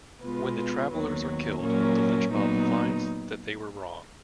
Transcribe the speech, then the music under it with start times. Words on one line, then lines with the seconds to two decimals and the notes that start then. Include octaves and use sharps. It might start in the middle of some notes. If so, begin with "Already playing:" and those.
When the travelers are killed, the lynch mob finds that they were wrong.
0.23 B2 G#3 B3 F4 B4
0.92 D#2 D#3 F#3 B3
1.61 A#2 F#3 A#3 C#4
2.30 A#2 F#3 B3 D#4